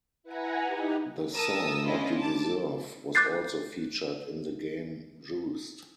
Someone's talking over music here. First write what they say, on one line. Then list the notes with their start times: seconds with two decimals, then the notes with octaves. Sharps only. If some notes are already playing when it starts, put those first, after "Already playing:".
The song "What You Deserve" was also featured in the game "Juiced".
0.23 E4 B4 F#5 G#5 A#5
0.61 D#4 G4
1.34 A#4 A5 D#6 E6
1.84 C#4 D4 E4 F4 D#5
2.18 A5 D6
3.15 D6 F#6 G6 A6 C7